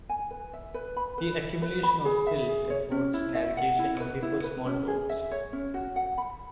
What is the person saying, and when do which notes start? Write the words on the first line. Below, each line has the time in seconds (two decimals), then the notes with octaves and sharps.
The accumulation of silt affords navigation only for small boats.
0.09 G#5
0.31 B4
0.53 E5
0.74 B4
0.96 B5
1.18 B4
1.40 E5
1.62 B4
1.83 B5
2.05 G#4
2.27 E5
2.49 G#4
2.70 C#5
2.91 C#4
3.14 E4
3.35 E5
3.57 F#5
3.79 E4
4.00 B4
4.22 E4
4.44 B4
4.66 C#4
4.88 G#4
5.09 E5
5.31 C#5
5.53 C#4
5.74 F#4
5.96 F#5
6.18 B5